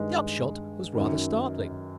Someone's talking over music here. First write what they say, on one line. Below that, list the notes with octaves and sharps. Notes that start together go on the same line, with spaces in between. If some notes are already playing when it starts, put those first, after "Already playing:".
The upshot was rather startling.
Already playing: G2 D#3 G#3
F#2 D#3